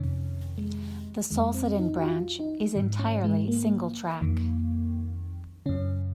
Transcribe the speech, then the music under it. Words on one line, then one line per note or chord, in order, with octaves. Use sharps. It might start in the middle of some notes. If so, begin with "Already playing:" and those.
The Solsidan branch is entirely single track.
Already playing: F2 C3 D#3 C#4
G#3
F2 D#3 G#3
C4
D#4
F#4
F4
D#4
G#2 D#3
C#4
G#3
A#3
F2 D#3
F#2 C#3 C#4